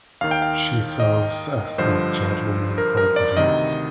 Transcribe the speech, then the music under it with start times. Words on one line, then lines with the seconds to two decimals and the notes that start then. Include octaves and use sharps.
She serves as the chairwoman for the race.
0.21 D#2 D#3 F5
0.31 G5
0.42 F5
1.00 D#5
1.78 G2 D3 F3 C5
2.78 A#4
2.97 A#4
3.16 D5
3.37 D2 C3 D#3 D#5